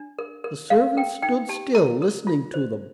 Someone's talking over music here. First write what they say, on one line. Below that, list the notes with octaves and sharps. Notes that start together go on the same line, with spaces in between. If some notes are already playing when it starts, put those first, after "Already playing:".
The servant stood still listening to them.
Already playing: D4
A#4
A#4
A#4 F5
A#4 G5
D#4 G5
G4 A5
A#4 A#5
A#4
F4
C5